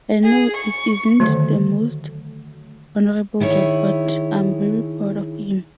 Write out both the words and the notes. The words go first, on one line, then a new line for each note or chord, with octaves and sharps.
I know it isn't the most honourable job, but I'm very proud of him.
G#4
C#6
D3 D#3 F#3 A3
D#3 E4 G#4 C#5